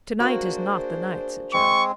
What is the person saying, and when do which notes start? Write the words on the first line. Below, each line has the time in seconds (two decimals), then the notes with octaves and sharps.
"To-night is not the night," said Joe.
0.20 A#3 D4 F#4 G#4 C5
1.53 G#3 C4 C#6